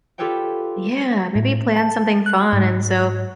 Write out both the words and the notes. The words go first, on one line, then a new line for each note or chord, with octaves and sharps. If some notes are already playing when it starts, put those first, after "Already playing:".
Yeah, maybe plan something fun, and so
F4 G4 A4 B4 C#5 G5
A2
A5
F#6
G#2